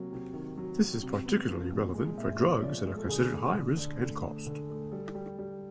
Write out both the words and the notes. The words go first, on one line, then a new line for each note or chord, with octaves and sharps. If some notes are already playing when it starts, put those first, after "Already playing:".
This is particularly relevant for drugs that are considered high risk and cost.
Already playing: C3 F#3 A#3
C3
D#3
F#3
F#3
C3
B3
F3
A#2
G#3
A#2 E5
B3
C#5
F3 D5
G#3
A4
D3 G#4
A3
D3
D3
A3
A3
D3
A3
G3 A4
G3
G3